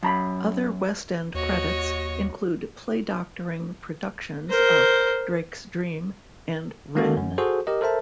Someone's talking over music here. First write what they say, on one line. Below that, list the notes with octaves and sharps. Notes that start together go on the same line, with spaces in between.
Other West End credits include playdoctoring productions of "Drake's Dream" and "Wren".
F#2 A#5 B5
D#2 F#4 C#5 D#5
A#4 C5
D#3 G#3 A#3 C#4 F#4 A4
F#2
F#4 G#4 A4 C5
G4 A#4 D#5
A4 A#4 C5 E5 A5